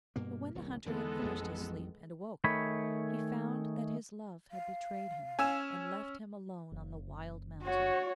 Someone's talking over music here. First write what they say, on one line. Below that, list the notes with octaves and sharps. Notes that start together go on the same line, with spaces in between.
But when the Hunter had finished his sleep and awoke, he found that his love had betrayed him and left him alone on the wild mountain.
G2 B2 A#3
D#1 C2
E2 D3 D#3 G#3 B3 A4
A1 F2
D#3 A3 G#4 C#5 B5
F5
C#4 G#5 E6 E7
F#1
F#4 C#5